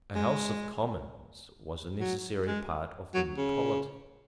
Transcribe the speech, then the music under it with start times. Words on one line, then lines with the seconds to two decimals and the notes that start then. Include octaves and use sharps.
A House of Commons was a necessary part of the new polity.
0.15 G#3
2.00 F#3
2.46 G#3
3.14 F#3
3.37 C#3